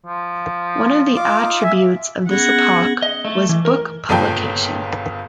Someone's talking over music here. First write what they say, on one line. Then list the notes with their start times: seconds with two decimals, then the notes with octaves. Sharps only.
One of the attributes of this epoch was book publication.
0.07 F3
1.16 F4 D6
1.42 D#4
1.61 E5 G#5
2.30 B3 C#4 G#4 F#5 G#6 A#6
3.02 D#5
3.25 A3
3.49 E3
3.65 A#4
4.09 G1 A#2 C#3 A4 G5